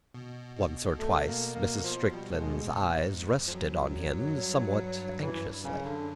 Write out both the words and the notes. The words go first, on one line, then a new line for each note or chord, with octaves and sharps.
Once or twice Mrs. Strickland's eyes rested on him somewhat anxiously.
B2
B2
A3
A#3
A#3
F3
G3
A3
G#3
A#2
G#2
F2
F2 F3
F#2 F#3
F#2
G2
G2 E3
F#2
G2
F#2 C#3
D3